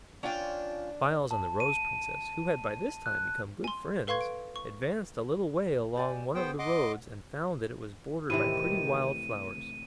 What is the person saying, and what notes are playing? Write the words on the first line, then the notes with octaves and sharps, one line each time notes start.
Files and the Rose Princess, who had by this time become good friends, advanced a little way along one of the roads and found that it was bordered by pretty wild flowers.
C#4 D4 F4 G5
A5
D#7
F#6
G#5 C6
A4 B4 F5 C6 C#6 G#6
D7
C#6
G4 D5 G#5
B3 F#4 G#4 C5 G5
D#5 F#5 C6 D6
A2 C3 D#3 E3 G4 D#7